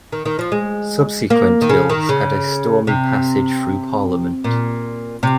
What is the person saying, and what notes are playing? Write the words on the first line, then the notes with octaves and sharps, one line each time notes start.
Subsequent bills had a stormy passage through parliament.
D#3
D#3
F3
G#3
A#3
D#3
C#3
D#3
C#3
C3
A#2
C3